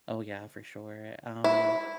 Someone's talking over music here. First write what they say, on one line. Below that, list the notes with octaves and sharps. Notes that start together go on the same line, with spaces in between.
Oh, yeah, for sure. Um,
E4